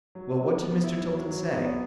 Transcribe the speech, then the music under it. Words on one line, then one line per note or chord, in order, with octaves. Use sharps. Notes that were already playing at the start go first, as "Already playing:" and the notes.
"Well, what did Mr. Tilden say?"
F#3
F#3
B3
E4
F#3
F#3
B3